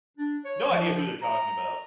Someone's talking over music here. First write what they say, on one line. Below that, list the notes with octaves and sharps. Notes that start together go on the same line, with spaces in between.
No idea who they're talking about.
D4
C#5
F3
A#5